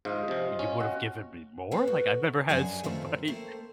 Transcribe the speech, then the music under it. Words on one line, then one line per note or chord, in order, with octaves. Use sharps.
"Well, you would've given me more." Like, I've never had somebody
G#2 F4 D#5
C3 F3
C#4
F#4
A#3 A4 B4 C5 F5
F#4
F#2 D4 G#4 F#5 G#5
B2 D#3 A3 C4 F4 E5
A3 A#3 C4 A4 C5